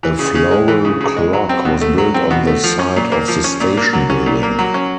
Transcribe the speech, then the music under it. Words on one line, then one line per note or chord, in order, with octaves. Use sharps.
A floral clock was built on the site of the station building.
E3
C#3
C#3
G#3
E3
C#3
C#3
G#3
F#3
C4
B2
A3
F#3
C4
B2
A3
F3
C#4
A#2
A#3
F3
C#4
A#2
A#3
F#3
C#4
A#2
A#3
F#3
C#4